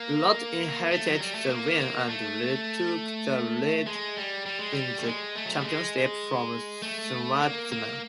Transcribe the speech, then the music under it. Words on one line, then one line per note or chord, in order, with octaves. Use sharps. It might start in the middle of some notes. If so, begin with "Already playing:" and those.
Ilott inherited the win and retook the lead in the championship from Shwartzman.
Already playing: A#3
A3
F#3
G3
A3
A#3
A#3
A3
G#3
G3
G3
G#3
G3
A3
G#3
A3
F#3
G3
G#3
A3
A#3
A#3